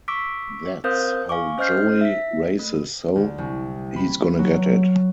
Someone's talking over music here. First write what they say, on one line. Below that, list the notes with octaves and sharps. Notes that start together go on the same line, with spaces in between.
That's how Joey races so, he's gonna get it.
C#6 D6 E6 B6 D7
C4 A#4 C5 F5 D#6 G6
F5 G#5 C#6 D6
C#4 C5 D#5 F6 G6 C7
E5 B6
A3
D2
C2
B5
F#3